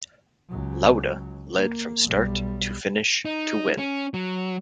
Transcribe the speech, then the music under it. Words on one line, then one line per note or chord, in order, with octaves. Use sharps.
Lauda led from start to finish to win.
C#2 F#3
A#3
B1 G3
D#4
C#4
F#3